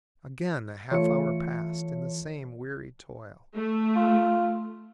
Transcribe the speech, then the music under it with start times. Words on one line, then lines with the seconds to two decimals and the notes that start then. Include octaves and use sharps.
Again a half hour passed in the same weary toil.
0.91 E3 A3 F4 C#5 E5 C#7
3.57 A3
3.96 F4